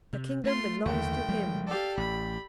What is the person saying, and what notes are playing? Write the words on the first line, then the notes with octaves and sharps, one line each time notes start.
"The kingdom belongs to him."
C3
A3 F4 C6
F#1 D#2 D3 E3 A3 G5
F3 G3 G#3
G4 A4 D5 F5
A1 B5